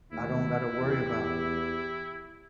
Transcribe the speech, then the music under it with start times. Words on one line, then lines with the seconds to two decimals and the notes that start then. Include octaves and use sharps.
"I don't gotta worry about,"
0.12 D#2 D#3 A3 E4
0.77 E2 G4